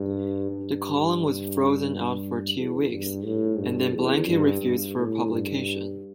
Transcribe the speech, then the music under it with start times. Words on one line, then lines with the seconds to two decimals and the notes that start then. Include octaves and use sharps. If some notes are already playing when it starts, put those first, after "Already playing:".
The column was frozen out for two weeks and then blanket-refused for publication.
Already playing: G2
0.51 G2
2.57 E2
2.91 G2
3.25 A2
3.58 G2
3.93 E2
4.28 G2
4.62 G2
4.96 A2
5.30 G2